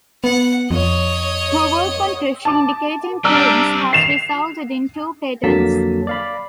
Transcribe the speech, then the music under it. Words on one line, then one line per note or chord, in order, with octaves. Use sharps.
Her work on pressure indicating paints has resulted in two patents.
B3 F#5
F2 C#5 D#5
A5 D6
G3 C4 D4 A#5 E6 F6
C7 E7 F7
F2 D3 F#3 A#3 A5 B6
D5 F5 B5